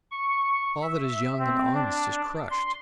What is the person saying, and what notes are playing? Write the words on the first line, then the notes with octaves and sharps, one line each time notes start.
All that is young and honest is crushed!
C#6
E5
C4
D4
C6